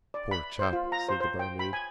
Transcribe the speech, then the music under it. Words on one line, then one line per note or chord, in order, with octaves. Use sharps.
"Poor chap!" said the barmaid.
D5
B5
C5
F4
A#5
C5
C5
G5
B5
G#5